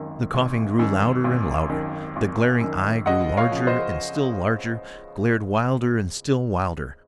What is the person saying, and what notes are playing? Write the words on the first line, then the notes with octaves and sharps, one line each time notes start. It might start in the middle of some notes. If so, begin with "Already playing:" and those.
The coughing grew louder and louder, the glaring eye grew larger and still larger, glared wilder and still wilder.
Already playing: G#1 F#2 D#3
G#1
F#2 D#3
G#1
F#2 D#3
G#1
F#2 D#3
C#2 D#5 F#5
C#5 F5
C#3 F3
C5 D#5